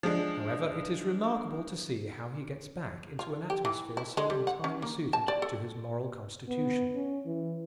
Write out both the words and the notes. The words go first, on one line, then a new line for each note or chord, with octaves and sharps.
However, it is remarkable to see how he gets back into an atmosphere so entirely suited to his moral constitution.
F3 G#3 D4
F4
G4
E3
E4
G#3
G3
F#5
C#4
A#3
A5
D5
A4
B3
C#4
E3